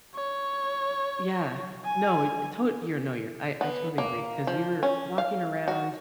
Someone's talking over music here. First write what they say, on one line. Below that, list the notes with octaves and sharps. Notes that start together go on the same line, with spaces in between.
Yeah. No. I it to you're no, your I I totally agree 'cause we were walking around
C#5
G#5
B3
A#3
F3
C#4
F5
F#4